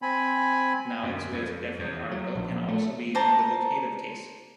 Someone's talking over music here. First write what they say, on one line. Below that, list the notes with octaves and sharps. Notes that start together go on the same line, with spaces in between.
Nouns with definite article can also be in the vocative case.
C4 G#5 B5
F#2
F2
E2
F#3
A#1
A3
C5 D5 A5 A#5